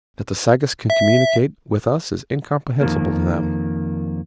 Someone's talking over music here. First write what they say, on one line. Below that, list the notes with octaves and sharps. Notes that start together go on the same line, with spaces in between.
That the Sagoths can communicate with us is incomprehensible to them.
E5
F2 D#3 A#3